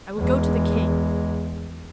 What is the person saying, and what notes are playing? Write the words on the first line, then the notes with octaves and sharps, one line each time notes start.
"I will go to the king."
E2 G#3